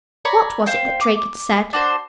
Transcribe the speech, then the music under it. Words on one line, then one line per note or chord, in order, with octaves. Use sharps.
What was it that Drake had said?
C#5 D5 A#5 B5
C5 F5 G5
D6
D4 F#4 C5